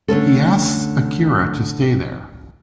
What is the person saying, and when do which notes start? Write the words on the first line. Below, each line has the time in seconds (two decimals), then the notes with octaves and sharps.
He asks Akira to stay there.
0.08 D3 A3 C#4 A4